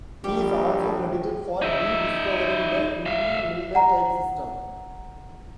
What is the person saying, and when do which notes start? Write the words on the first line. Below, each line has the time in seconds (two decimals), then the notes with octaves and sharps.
He is also credited for rediscovering the Hindley-Milner type system.
0.24 A#1 G3 G4
1.62 D#4 E5
3.06 E5 F5
3.75 F#5 A#5